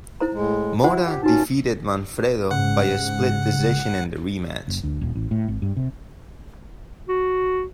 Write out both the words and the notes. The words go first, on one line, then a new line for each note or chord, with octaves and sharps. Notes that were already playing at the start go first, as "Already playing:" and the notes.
Mora defeated Manfredo by a split decision in the rematch.
E4 C5 A#5
A2 G#3
E4 F4 C5 F#5
G4 F#5
A#2 C#4 D#4 F#4 A5
G#2 C#3 F#5
F#1
D2
D#1
A1
A2
G#1
G2
C3
F#4